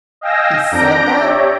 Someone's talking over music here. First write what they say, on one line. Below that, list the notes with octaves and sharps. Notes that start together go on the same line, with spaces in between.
"He said that?"
D#5 F5 G5 G#5 E6 A#6
F2 D4 A#5 G6 A#6 D7
G4 C#5 D5 E5